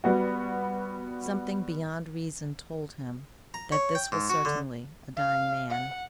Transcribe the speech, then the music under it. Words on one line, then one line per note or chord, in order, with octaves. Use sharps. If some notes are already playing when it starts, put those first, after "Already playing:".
Something beyond reason told him that this was certainly a dying man.
G3 B3 F#4
A#5
C#5
G5
G#2
F#4
D3
F5
F#5